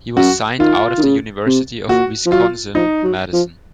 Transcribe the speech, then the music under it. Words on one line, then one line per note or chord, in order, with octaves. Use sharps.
He was signed out of the University of Wisconsin-Madison.
F#2 F#4
D#3 F4
D#3
C#3
C3
A#2 F#4
F3
F#3 F4
F3 D#4
F#3
F3